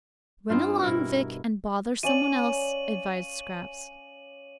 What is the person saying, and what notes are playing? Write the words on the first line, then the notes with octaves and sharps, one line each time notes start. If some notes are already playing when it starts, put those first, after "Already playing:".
"Run along, Vic, and bother some one else," advised Scraps.
G2 C4 D#4 F4
B2 E4 A#4
C#4 D5 F5 D#7 F#7